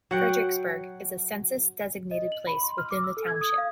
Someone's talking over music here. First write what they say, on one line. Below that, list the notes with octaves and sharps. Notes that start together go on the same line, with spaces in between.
Fredericksburg is a census-designated place within the township.
F#3 F#5 G5
D#5
F#7
B5
C6
F6
D6
E6
A4
G#6
D#6
F5